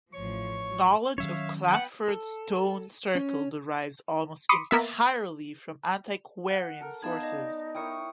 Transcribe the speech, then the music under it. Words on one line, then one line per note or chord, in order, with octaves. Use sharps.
Knowledge of Clatford Stone Circle derives almost entirely from antiquarian sources.
A1 F3 C#5 C#6
D#3 F#3 C#4 C#5 E5 F5
B3 B4 F#5 G5
A4
C#4
B5 C6 D6 D#6 C#7
A#3 B3 E5
F#5
A4 A#4
B3 D#4 F5 A5 G#6
D5 D#5
E4 A#4 C#5 G5 D#6 C#7